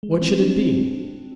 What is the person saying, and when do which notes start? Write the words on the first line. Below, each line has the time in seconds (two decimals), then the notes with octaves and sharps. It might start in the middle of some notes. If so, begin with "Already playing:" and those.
What should it be?
0.03 G#3
0.21 C4
0.40 D4
0.58 C4